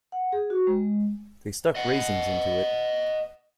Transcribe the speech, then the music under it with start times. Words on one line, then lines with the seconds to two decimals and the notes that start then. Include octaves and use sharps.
They stuck raisins into it.
0.12 F#5
0.32 G#4
0.50 F#4
0.67 G#3
1.75 D#5 F#5